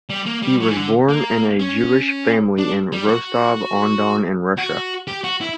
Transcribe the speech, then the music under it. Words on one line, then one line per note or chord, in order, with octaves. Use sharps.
He was born in a Jewish family in Rostov-on-Don in Russia.
G3
A#3
G3
F#3
E3
D3
A#3
C#4
D4
G3
F#4
F#4
G4
F#4
E4